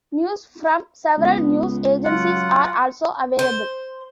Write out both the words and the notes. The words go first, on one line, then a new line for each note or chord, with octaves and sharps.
News from several news agencies are also available.
C#2 B3
F#3 F4 F#5
C5